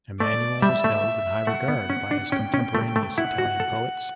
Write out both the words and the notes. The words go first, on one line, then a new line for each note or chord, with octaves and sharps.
Immanuel was held in high regard by his contemporaneous Italian poets.
A3 D5
G3 E5
A3
A3 F#5
B3
C#4
D4
C#4 G5
C#4
A3
A3
E4 F#5
F#4
A4